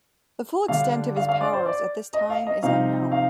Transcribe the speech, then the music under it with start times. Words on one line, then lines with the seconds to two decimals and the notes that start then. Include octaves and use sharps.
The full extent of his powers at this time is unknown.
0.68 D3 G3 D4 F5
1.16 F5
1.29 F5
1.41 D5
1.53 C5
1.66 D5
2.14 D#5
2.30 F5
2.47 D#5
2.62 C3 F3 C4 D#4 F5
3.12 F5